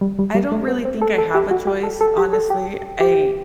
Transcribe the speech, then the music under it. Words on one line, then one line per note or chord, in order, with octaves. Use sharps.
I don't really think I have a choice, honestly. I
G3
G3
G3
A3
B3
C4
A4
A4
G4
F#4
G4
A4
A4
G4
A4
G4
G4